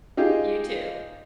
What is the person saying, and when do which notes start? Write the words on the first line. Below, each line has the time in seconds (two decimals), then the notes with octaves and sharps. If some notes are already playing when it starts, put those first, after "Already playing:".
You too.
0.17 D#4 F4 G4 G#4